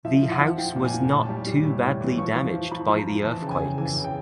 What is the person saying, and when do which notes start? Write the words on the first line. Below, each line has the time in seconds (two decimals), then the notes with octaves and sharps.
The house was not too badly damaged by the earthquakes.
0.05 F3 E5
0.23 F3
0.32 F#5
0.40 F3
0.58 F3 G5
0.76 A#2
0.85 G#5
0.94 A#2
1.11 A2 A5
1.29 G3
1.47 G3
1.64 A2
1.82 A2
2.01 E3
2.18 F3 C#6
2.36 F3
2.54 F3
2.72 F3 B5
2.89 F3
2.98 A#5
3.07 F3
3.25 E3 A5
3.42 C#3 G5
3.51 G#5
3.60 C#3
3.78 E3 G#5
3.96 C#3
4.04 G5